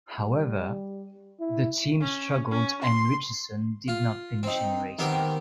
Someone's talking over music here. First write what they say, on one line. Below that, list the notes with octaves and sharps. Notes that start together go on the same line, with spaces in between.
However, the team struggled, and Richeson did not finish any races.
G3
E4
C#4
C#4
C6
F4
C4 D#4
D#3 B3 C4 G4